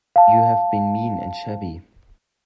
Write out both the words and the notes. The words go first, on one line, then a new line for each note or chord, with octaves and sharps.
You have been mean and shabby.
F5 A5